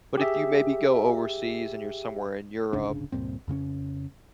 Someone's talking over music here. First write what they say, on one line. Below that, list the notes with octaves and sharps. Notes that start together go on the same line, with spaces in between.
But if you maybe go overseas and you're somewhere in Europe,
G4 G#4 E5
D1 G1 C#3 D4
C#2 G2 A#2 C4
F2 C#3 C4 C#4